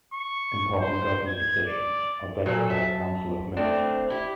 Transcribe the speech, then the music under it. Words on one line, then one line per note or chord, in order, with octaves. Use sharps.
Important government decisions are vetted by the Council of Ministers.
C#6
C5
G#6
D5
A#2 F#3 A4
E5 A5
A3 C4 D4
E4 G4